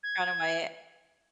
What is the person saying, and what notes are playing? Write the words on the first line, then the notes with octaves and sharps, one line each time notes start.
brown or white?
G#6